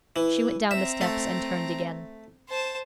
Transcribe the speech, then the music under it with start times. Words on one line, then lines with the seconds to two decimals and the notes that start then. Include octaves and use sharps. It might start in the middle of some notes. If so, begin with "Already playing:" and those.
She went down the steps and turned again.
0.16 E3
0.71 C4 E5 A#5
1.01 A3
2.49 C5 A5